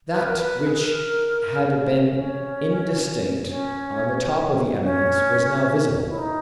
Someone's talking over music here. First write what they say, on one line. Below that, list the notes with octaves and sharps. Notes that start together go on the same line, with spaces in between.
That which had been indistinct on the top of the eminence was now visible.
B4
A#4
B4
G#4
A#4
C#4
C#4
C#4
E4
D#4